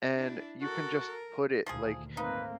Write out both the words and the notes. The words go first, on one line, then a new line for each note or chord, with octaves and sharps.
and you can just put it, like,
D4 E4
F#4 A4 A#4
A#4
D2 A#2 D#3 F3 F4 G#4
G#2 A3 A#3 C4 D#4 B4